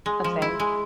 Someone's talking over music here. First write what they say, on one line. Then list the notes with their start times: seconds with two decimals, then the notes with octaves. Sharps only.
a thing.
0.06 G#3
0.24 F3
0.42 E4
0.60 G#3